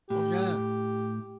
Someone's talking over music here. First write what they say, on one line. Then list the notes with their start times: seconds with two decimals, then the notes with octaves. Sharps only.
Oh yeah.
0.10 A2 G4